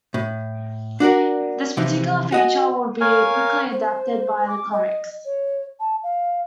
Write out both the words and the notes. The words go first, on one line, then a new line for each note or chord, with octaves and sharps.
This particular feature would be quickly adapted by the comics.
A2
D4 F#4 A#4 D5
C3 E3 F3
F#4 D#5 G#5
A#4 C#5 F5 G#5
C5
D6
D#5
C#5
A5
F5